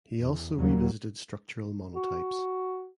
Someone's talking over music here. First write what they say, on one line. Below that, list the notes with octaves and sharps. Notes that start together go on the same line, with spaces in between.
He also revisited structural monotypes.
E2
D#2 F#3 G3 A#3
F#4